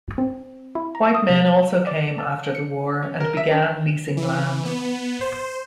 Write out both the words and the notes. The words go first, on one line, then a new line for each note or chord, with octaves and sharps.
White men also came after the war and began leasing land.
C4
E4
A#5
D#6
C3
D5
A5
C#7
C#4
A#4
E5
D4
E3
B3
C5